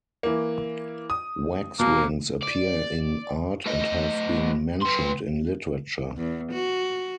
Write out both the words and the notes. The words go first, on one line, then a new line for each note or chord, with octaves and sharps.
Waxwings appear in art and have been mentioned in literature.
E3 A#3
D#6
B2 A#3
D5
A2 D#5
B3 C6
E2
F#4